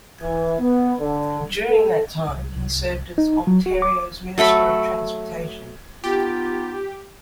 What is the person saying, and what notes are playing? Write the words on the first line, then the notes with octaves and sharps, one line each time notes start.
During that time, he served as Ontario's Minister of Transportation.
E3
B3
D3
A4
C2
C2
D#4
F#3
F#4
D6
F#3 A3 A4 B5
B3 D#4 F4 G4